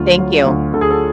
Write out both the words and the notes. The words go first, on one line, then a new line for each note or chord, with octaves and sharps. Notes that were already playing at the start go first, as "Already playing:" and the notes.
Thank you.
Already playing: D2 F#3 F4
F#3
D2
D2 A4
G#4
A4